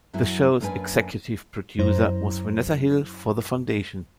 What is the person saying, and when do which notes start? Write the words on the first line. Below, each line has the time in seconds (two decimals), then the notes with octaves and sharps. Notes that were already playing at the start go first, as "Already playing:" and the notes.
The show's executive producer was Vanessa Hill for The Foundation.
0.13 F#2 F#3 E4
0.60 F#2 A#3 D4 B4 G#5
1.79 F#2 E4 C5 A#5